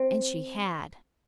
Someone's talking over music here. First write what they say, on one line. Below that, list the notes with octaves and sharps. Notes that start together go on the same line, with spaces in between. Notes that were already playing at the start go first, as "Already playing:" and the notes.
And she had.
Already playing: C4